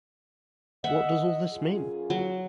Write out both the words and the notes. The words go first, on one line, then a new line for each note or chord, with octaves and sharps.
What does all this mean?
D#5 E5 F#5
F#2 F4 G#4
F#3